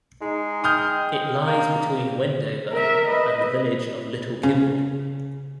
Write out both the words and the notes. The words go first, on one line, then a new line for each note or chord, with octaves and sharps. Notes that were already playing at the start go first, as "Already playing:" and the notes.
It lies between Wendover and the village of Little Kimble.
G#3 D#4
G5 D#6 F6 G6
A#3
A#4 E5
B4 D#5
C#3